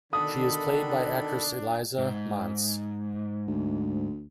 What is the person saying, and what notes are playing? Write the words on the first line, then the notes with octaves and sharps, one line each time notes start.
She is played by actress Elisa Monse.
B2 D3 D#3 D4 A4 B5 D#6
G#2
D2